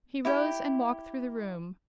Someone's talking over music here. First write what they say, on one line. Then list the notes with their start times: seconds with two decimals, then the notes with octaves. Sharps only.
He rose and walked through the room.
0.25 E4 G4 G5